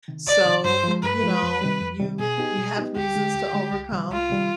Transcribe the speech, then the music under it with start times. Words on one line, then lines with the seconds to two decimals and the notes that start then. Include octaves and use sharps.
so, you know, you you have reasons to overcome
0.08 C3 D#3
0.27 D2 D5
0.46 C3 D#3
0.64 G2 C5
0.84 F3 G#3
1.03 G2 B4
1.23 F3 G#3
1.43 F2
1.61 C3 D#3 G3
1.81 F2
2.00 C3 D#3 G3
2.19 B2 G#4
2.38 B3 D#4 G4
2.58 B2
2.77 B3 D#4 G4
2.96 D2 G4
3.15 D3 G#3
3.35 D2
3.53 D3 G#3
3.72 C2
3.92 C3 D#3 G3
4.11 C2 F4
4.30 C3 D#3 G3